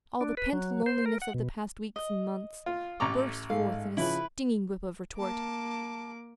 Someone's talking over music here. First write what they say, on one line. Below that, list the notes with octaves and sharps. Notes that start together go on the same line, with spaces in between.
All the pent loneliness of the past weeks and months burst forth in a stinging whip of retort.
D4
B4
F#3
C5
A#4
F#5
B2
D#5
F4
A1 A4 A#5 C#6 D6
G#2 G#3 A4 F5
C#3 F3 C#4 E4 B4
A#3 A5 D6